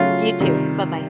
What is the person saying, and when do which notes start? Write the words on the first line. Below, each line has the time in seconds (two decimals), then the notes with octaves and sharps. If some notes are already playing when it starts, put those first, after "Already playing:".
You too. Bye-bye.
Already playing: C#3 F#3 A3 C#4 F4
0.40 C3 D#3 G3